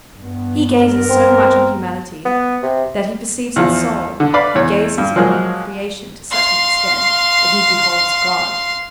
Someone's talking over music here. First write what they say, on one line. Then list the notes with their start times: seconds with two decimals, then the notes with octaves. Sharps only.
He gazes so much on humanity that he perceives its soul, he gazes upon creation to such an extent that he beholds God.
0.20 G2 B3
0.75 A#4
1.10 C4
2.25 B3
2.63 C3
3.56 E2 F3
4.20 D3
4.34 B4 D5 F5 B5
4.55 E2 C#5
4.98 G2
5.16 F3 F#3 G#3 A#3
6.31 F5 C6